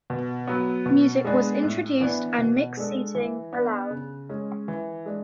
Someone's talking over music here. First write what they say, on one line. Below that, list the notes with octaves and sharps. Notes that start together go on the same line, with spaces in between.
Music was introduced and mixed seating allowed.
B2
F#3 B3
B2
G#3 B3 D4 G#4
A2
E3 B3 D4
B2
G#3 D4 A4
E3
B3 D4
C#3
G#3 C#4
E3
G#3 D4